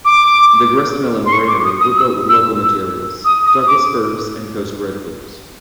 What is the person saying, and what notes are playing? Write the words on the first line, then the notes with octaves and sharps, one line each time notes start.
The gristmill and granary were built with local materials, Douglas firs and coast redwoods.
D6
C6
C#6
D6
D#6
D#6
E6
E6
E6
D#6
D#6
D6